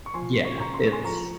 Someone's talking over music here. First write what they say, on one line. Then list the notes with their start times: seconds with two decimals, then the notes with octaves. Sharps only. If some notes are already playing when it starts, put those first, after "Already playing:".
Yeah, it's
0.06 C#6
0.14 F3 G#5 C6
0.37 C#3
0.45 C#6
0.60 C#3 A#5 C#6
0.74 C6
0.83 G#3 C#6
0.92 G#5 C6
1.04 F3 A#5 C#6